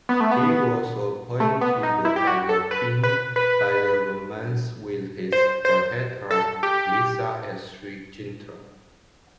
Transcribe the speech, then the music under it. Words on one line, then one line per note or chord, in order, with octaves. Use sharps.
He was appointed as King by the Romans with his protector Lysias as regent.
B3
A3
B3
A3
B3
D#4
E4
G4
F#4
A4
B4
B4
B4
C5
C5
A4
G4